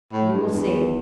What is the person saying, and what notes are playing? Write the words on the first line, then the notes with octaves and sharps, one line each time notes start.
"You will see."
A2
G2
E2